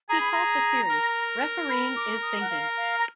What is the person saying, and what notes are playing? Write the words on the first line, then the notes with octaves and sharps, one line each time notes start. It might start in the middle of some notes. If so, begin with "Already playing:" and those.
He called the series, Refereeing is thinking.
G#4 A#5
B5
A#5
A#4
B5
D6
D#6
F#5
F5
F5
A#5